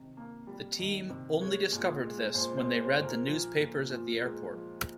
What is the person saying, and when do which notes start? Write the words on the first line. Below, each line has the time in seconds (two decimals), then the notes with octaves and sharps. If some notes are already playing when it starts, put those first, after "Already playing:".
The team only discovered this when they read the newspapers at the airport.
Already playing: C3 D#3
0.17 A#3
0.47 G3
0.79 D#3
1.09 C3
1.40 G#3 C#5
1.72 A#2
2.04 G#3
2.34 A#2 C5
2.57 C5
2.65 G#3
2.81 C5
2.97 A#2
3.04 A#4
3.27 F3
3.59 A#2
3.90 A#2
4.21 G#3
4.52 F3